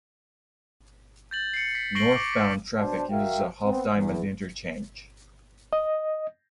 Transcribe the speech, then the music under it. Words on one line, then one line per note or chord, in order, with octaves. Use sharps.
Northbound traffic uses a half-diamond interchange.
G6 A6 F#7
C7 C#7
B6
C#6 A#6 C7 D7 F#7 G7
D6
B6
B2 D4 C5 D5 A5
F#4 A#4 E5 F5 G5
B3 C4
E2
D#5